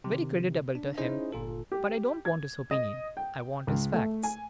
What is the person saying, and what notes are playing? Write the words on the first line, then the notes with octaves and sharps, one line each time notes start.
Very creditable to him, but I don't want his opinion--I want his facts.
C3 D#3
D4
C#4 D#4 E4 G#4 C5 D#5
G1 A#2 F4 A4
G4
G#6
D#5
G5
C#2
A3
G#5